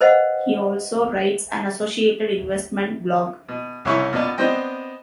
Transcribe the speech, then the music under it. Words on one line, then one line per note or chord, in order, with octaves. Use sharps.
He also writes an associated investment blog.
B4 C5 D#5 F5 F#5
B2
C2 G#2 C#3 C#4 E4 C#6
F#2 B2 B3 F4 D5
B3 C4 D4 C5 D#5 G5